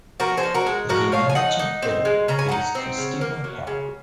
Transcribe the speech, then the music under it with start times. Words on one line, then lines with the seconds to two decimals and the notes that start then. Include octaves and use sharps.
The managing editor is Kristina Hacker.
0.20 F3 F#4 A#4
0.37 G#4 C5
0.43 D#4
0.54 F#4 A#4
0.66 G#3
0.89 F3 F#4 A#4
1.12 F3 C#5 F5
1.29 G#5
1.35 D#4 D#5 F#5
1.59 D#4
1.82 C4
2.05 G#3
2.28 C#3 A#5
2.39 G#5
2.49 D#4 F#5 A#5
2.75 C4
2.98 C#3
3.21 A#3
3.44 F#3
3.67 C#3